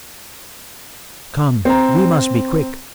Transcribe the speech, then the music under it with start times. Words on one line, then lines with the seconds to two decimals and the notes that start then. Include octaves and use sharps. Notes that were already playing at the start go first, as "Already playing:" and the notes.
Come, we must be quick!
1.65 C4 A#5